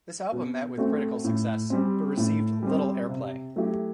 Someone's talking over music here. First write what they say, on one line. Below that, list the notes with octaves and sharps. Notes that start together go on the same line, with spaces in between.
This album met with critical success but received little airplay.
B2
A3 C4 F#4
A2
G3 C4
A2
G3 C4
C3
F#3 A3 E4 G4